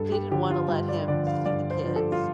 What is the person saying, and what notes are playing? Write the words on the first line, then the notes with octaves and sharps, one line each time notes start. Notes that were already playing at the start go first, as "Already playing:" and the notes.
didn't want to let him see the kids,
Already playing: G2 A4
G4
D3 F3 G4
F4
G2 F4
D5
D3 F3 D5
F5
G2 D5
C5
D3 F3
A4
F4